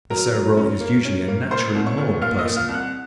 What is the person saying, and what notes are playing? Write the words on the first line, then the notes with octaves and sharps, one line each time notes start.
The Cerebral is usually a naturally moral person.
F#3 A#4 A#5
F#3
C#4
A#3
C#4
A#3
A#2 C5 C6
C2
C#5 C#6
A#2
A#2 F5 F6
D#5 D#6
A#2
F5 F6
C2
F#5 F#6